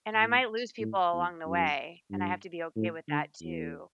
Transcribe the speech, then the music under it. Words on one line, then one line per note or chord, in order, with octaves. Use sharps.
And I might lose people along the way, and I have to be okay with that too.
A2
A2
E2
F#2
G2
A2
D3
E2